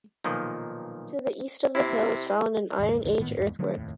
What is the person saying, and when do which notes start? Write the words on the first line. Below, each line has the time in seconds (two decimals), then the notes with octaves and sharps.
To the east of the hill is found an Iron Age earthwork.
0.24 B1 A#2 D#3 F3
1.75 C3 E4
2.79 D#2 G#2 C#3
3.04 A#1 E2 D3
3.18 G#1 A2 D#3 B3
3.37 G1 E2 G#2
3.59 D3 F3 F#3 A3
3.76 F1 D#2 A2